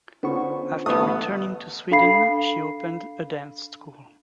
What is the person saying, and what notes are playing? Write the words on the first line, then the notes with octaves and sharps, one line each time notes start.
After returning to Sweden, she opened a dance school.
D3 B3 C#4 F4 C5 C#6
A1 A3 B3 F#5 D#6
D4 A4 F5 B5 C7